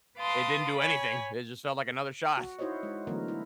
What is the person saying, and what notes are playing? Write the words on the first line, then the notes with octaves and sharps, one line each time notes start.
it didn't do anything, it just felt like another shot.
B4 F5 A5 C6 D6 D#6
C#5 G#5 B5
F#4
D#4 E4 F#4 C5 C#5 D#5
G#3
D3 E3 F#3 A3 B3 A#4
E4